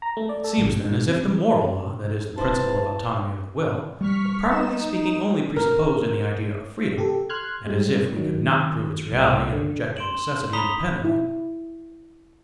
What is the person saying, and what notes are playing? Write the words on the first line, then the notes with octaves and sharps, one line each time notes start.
It seems then as if the moral law, that is, the principle of autonomy of the will, were properly speaking only presupposed in the idea of freedom, and as if we could not prove its reality and objective necessity independently.
A#5
A3
D5
A4
A1
G#2
G#2
C3
E4 B4 C5 A5
G3 C#6 F6 B6
D#4 E7
A#4
G4 A4
C6 F6 F#6 G#6
G3 G#3
D#3 F#3
C2
D3
C6 G6 D7 E7 F#7
A#5 B5 D#6 B6 F7 G7
E4